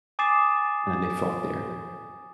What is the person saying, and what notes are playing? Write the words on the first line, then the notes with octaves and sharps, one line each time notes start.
and they fought there
G#5 D6 D#6 A6 C7 E7